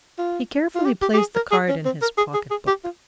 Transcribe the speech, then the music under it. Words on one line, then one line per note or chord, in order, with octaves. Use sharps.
He carefully placed the card in his pocket-book.
F4
F4
G4
G4
G4
G#4
A#4
G#4
C#4
C4
A#4
G#4
G#4
G#4
G4
F4